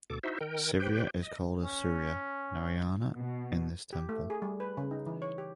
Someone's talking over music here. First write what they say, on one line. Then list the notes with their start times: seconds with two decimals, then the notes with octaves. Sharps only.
Surya is called as Surya Narayana in this temple.
0.10 D2 B2 A4 D6
0.23 D#4 E4 F#4 C5 E5
0.41 D#3 A#4 G5
0.80 G4 B4 C5 G5
1.23 D#5
1.62 C#4
3.16 B2
3.93 G4
4.09 A3
4.30 G#4
4.42 G3
4.60 B4
4.77 C#3
4.91 D#4
5.06 E3
5.22 C#5
5.38 G4